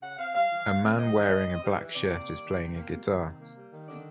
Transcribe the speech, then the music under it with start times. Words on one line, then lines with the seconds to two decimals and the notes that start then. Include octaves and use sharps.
A man wearing a black shirt is playing a guitar.
0.02 C#3 F#5
0.18 C4 F5
0.34 G3 F5
0.51 E3
0.67 C#3
0.83 C4
0.99 G3 D#5
1.15 E3
1.30 C#3
1.47 C4
1.63 G3
1.79 E3
1.95 C3 D5
2.11 A#3
2.27 G3
2.43 D#3
2.59 C3
2.75 A#3
2.91 G3
3.06 D#3
3.23 C3
3.39 A#3
3.55 G3
3.71 D#3
3.87 D3 D5